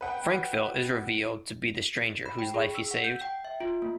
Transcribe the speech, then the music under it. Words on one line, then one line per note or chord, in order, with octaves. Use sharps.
Frankville is revealed to be the stranger whose life he saved.
B4 F#5 G5
B5
G5
G#4
E6
F#5
G6
G5
E5
F4
A#3